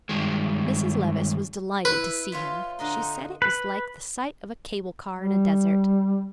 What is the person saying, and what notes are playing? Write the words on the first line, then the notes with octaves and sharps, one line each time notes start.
Mrs. Levice was delighted to see him; she said it was like the sight of a cable-car in a desert.
G2 D#3 G#3
E4 B4
F4 C#5 E5 C6
D3 D#5 A#5 C6
B4
G3